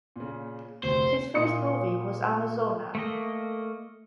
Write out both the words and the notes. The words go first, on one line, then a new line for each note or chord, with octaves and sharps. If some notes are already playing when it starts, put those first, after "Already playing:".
His first movie was "Amazona".
A#2 C#3
F1 D2 C5
A#2 D#6 C#7
A3 A#3 D#5